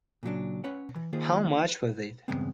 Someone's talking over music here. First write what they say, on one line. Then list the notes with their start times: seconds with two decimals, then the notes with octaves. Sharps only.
How much was it.
0.23 A#2 C#3 F#3 D4
0.64 C#4 B4 C#5 F#5
0.96 E3
1.13 D#3 A#3 F4 G#4 C5
1.68 B4
2.28 E2 G2 C#3 G#3 B3 C4